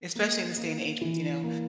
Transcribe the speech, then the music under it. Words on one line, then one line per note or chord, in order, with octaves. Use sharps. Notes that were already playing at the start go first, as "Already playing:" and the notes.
Especially in this day and age with, you know,
A#3
A#3
E3
A#3